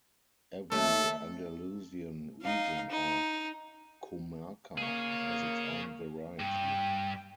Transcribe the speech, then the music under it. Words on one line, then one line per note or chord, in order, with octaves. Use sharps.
Every Andalusian region or comarca has its own variety.
D#2 A3 A4 E5
D#4 F5
D#4
A#3 G#4 C#5
G2 G5